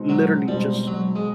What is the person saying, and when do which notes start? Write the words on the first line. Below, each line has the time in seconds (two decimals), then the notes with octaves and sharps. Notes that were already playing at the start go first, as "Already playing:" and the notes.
literally just,
Already playing: B2 G#3 C4 D#4
0.09 F#3
0.48 B2 G3 G#3 C4 D#4
0.87 F#3
1.16 G#3